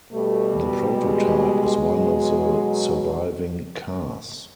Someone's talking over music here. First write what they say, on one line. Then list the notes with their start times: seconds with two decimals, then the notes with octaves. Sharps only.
The prototype is one of the surviving cars.
0.12 B2 G3 A3
0.94 G#3
1.77 B2 F#3